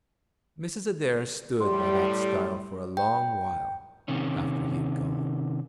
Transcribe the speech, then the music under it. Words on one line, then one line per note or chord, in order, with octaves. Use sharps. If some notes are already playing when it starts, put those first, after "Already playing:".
Mrs. Adair stood by that stile for a long while after he had gone.
A2 G3 G4 C6
G5
C3 D#3 C#4